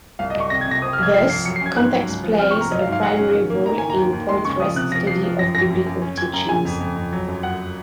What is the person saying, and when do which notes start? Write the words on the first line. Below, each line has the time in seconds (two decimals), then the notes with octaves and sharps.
Thus, context plays a primary role in Poythress's study of Biblical teachings.
0.19 C2 F5
0.30 D#5
0.35 C2 C#6
0.50 C3 A#6
0.61 G#6
0.67 C3 A#6
0.82 C4 D#6
0.93 F6
0.98 C2 G#6
1.14 F3 C7
1.30 F3 C7
1.46 F#3 C#7
1.56 C7
1.61 C#4 G#6
1.77 G#2 F#6
1.92 F#3
2.08 C#2
2.23 F3
2.39 C4 F6
2.51 C#6
2.55 C3
2.61 A#5
2.71 F#3 D#5
2.82 F5
2.87 G#2
2.92 F5
3.03 F#3 F#5
3.18 C#4
3.34 D#3
3.50 A#3
3.66 D#3 A#5
3.78 D#3 G#5
3.90 A#5
3.97 D#2
4.13 D#2
4.29 G#3 C6
4.45 C#3 C#6
4.60 F3 D#6
4.76 C3 F#6
4.91 F3 A#6
5.07 F3 C7
5.23 F3
5.39 F#2 A#6
5.55 F#2 A#6
5.70 F#2
5.86 F#2
6.02 C#4
6.17 C#4 G#6
6.33 F#2 A#5
6.49 C#3 G#5
6.65 F2
6.81 F2
6.96 F2
7.13 F#3
7.28 F#2
7.43 F#2 F#5